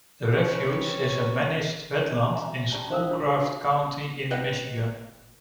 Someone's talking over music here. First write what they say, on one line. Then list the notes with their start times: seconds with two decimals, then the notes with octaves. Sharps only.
The refuge is a managed wetland in Schoolcraft County in Michigan.
0.22 C4 C#4 B4 C#5
2.34 F#4 E5 G#5 A#5
2.71 C#4 F#4 G4 D5 A5 A#5
2.89 G4 C5 F5 D#6 E6
3.09 D4 E4 F4 A#4 C#5
3.24 F#4 B4 E6
4.31 B4 D#5 F#5 G5